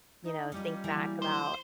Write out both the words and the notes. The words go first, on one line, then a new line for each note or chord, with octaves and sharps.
you know, think back about
D#4
G3 C#4 D#4 F4
E3 F#3 A#3
C5